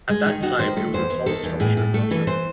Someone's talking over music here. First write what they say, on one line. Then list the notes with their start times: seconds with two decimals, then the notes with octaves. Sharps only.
At that time, it was the tallest structure in Russia.
0.09 G#3
0.26 D#3 D#4
0.42 D#3 F#4
0.59 D#3 C5
0.76 A3 A4
0.94 E2 C5
1.10 E2
1.26 D#3 A4
1.43 E2
1.60 A2 G#4
1.77 A2
1.94 A3 A4
2.11 E3 A4
2.27 E3 C5